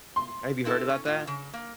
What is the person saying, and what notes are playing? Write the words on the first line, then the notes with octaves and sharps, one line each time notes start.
have you heard about that?
C6
C4 E4 A4
C#4
A2 F4
C#3
A#3